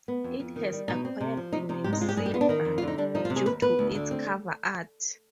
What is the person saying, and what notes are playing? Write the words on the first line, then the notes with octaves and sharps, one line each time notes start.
It has acquired the name "Silver" due to its cover art.
B3
F2
F2
D#3
G3
B2 D#4
C4
C3
F3
C3 D#4
C3 D#4
G#2 G4
D#4
G#3 F4
G4
G2 G#4
G4
B3 F4
D4
D#3 D#4
F2
D3 F4
D#4
G3 D4
F3 D#4
F4
C3
G#4
D#2 B4
B3 B4
D2
D3
C4